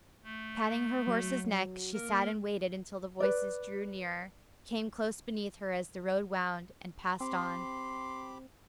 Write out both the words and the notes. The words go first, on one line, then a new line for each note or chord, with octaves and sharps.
Patting her horse's neck, she sat and waited until the voices drew nearer, came close beneath her as the road wound, and passed on.
A3
F#3
A#3 A#4
B4 D5
C4 G4 B5 C6 D6